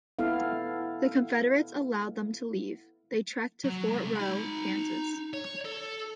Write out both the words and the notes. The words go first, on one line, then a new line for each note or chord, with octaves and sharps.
The Confederates allowed them to leave; they trekked to Fort Row, Kansas.
B3 E4 A4 F5
F#3
C2 G#3
D#4 B5
C#5
A4